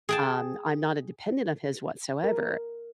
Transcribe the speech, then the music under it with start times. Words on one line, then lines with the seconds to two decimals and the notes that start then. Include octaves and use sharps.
um, I'm not a dependent of his whatsoever,
0.09 G#4 G5 A5
2.24 A#4